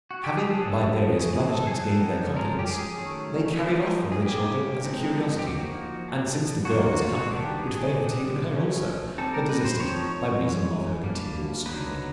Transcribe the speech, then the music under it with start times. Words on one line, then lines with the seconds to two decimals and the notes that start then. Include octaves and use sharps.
Having, by various blandishments, gained their confidence, they carried off one of the children as a curiosity, and, since the girl was comely, would fain have taken her also, but desisted by reason of her continual screaming.
0.11 F#4
0.24 G4
0.37 G#4
0.50 F#3 B3 D4 A4
1.12 C#3 E3 A3 G#4
1.36 G#4
1.43 A4
1.67 G#4
1.73 G3 B3 D#4 A4
2.36 F3 G#3 C#4 A#4
2.59 G4
2.67 G#4
2.98 D#3 F#3 A3 C#4
3.61 F3 A#3 D#4
4.12 G#4
4.22 G3 A#3 C#4 G4
4.84 F3 G#3 C4 D#4
5.39 G4
5.46 F3 A#3 D#4 F#4
6.08 G3 B3 D4
6.65 F#4
6.70 F#3 A#3 D4 F4
6.85 F#4
7.01 F4
7.16 F#4
7.32 D#3 G3 B3 D4 G4
7.63 G#4
7.94 D3 G3 B3 D4
8.56 F3 A3 C#4
9.18 G3 C4 D#4 A4
9.34 A#4
9.49 B4
9.65 C5
9.80 F3 A3 C4 D#4 C#5
10.11 C#5
10.42 E3 G#3 C#4
11.04 G3 A#3 D4
11.66 D3 F#3 B3 D#4 B4